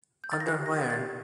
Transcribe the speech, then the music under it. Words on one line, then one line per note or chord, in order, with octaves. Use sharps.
Under where?
G6
A6
F5 A#6
G4
A#6
G4
A6
G4